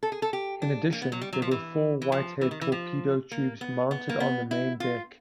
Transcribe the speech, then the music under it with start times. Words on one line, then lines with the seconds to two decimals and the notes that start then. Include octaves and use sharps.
In addition, there were four Whitehead torpedo tubes mounted on the main deck.
0.03 A4
0.12 G#4
0.22 A4
0.33 G4
0.62 D4
0.92 A#3
1.02 B3
1.12 F#3
1.21 G3
1.33 F#3
1.42 F3
1.51 E3
2.02 E3
2.12 F3
2.41 E3
2.51 D#3
2.61 E3
2.72 F3
3.31 A#3
3.61 B3
3.91 B3
4.09 A#3
4.20 B3
4.51 E4
4.80 F4